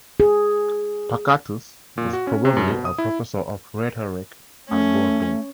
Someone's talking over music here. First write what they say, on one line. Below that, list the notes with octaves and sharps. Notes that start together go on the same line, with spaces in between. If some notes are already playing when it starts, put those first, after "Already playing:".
Pacatus was probably a professor of rhetoric at Bordeaux.
G#4
A#2
F#4
C#4
C3
F#2
B2
D#6
E4
A3 C#4